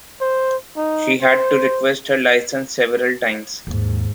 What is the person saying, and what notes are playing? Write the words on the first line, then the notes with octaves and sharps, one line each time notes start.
She had to request her license several times.
C5
D#4
C5
D#2 G#2